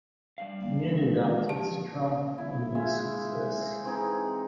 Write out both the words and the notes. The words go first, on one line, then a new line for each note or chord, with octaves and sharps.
Many doubted Strawn would be a success.
G3 D4 F5
G#3 E4
F3 G4 A5
E4
G#3 E4 E5 F5
E3 C4 D#4 G#4